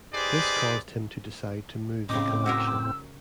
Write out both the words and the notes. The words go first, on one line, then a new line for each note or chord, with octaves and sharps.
This caused him to decide to move the collection.
D#4 G4 G#4 B4 C5 D5
A2 C#3 C4 D#4 D6
F#4 G#4 A#4 E6